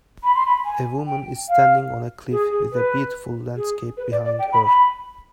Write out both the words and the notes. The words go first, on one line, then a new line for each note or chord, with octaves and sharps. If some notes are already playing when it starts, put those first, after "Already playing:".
A woman is standing on a cliff with a beautiful landscape behind her.
B5
C6
B5
G#5
G5
F5
G#4
G#4
B4
G#4
B4
D5
D5
G5
B5
B5